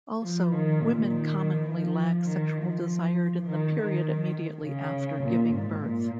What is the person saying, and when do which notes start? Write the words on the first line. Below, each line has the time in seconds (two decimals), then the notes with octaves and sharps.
Also, women commonly lack sexual desire in the period immediately after giving birth.
0.22 F3
0.52 D#3
0.82 A#2
1.11 D#3
1.70 F3
2.28 D#3
2.58 F3
3.46 D#3
3.77 D#3
4.64 C#3
5.23 A#2
5.53 G#2
5.82 A#2